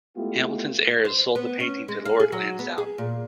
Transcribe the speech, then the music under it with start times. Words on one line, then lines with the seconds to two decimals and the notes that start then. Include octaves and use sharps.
Hamilton's heirs sold the painting to Lord Lansdowne.
0.16 G#3 A3 B3 E4 F4 G4
1.05 C5
1.35 B3
1.60 C#4
1.88 G#3
2.05 F5
2.20 G#4
2.32 F#3
2.59 B3
2.78 G#4
2.98 A#2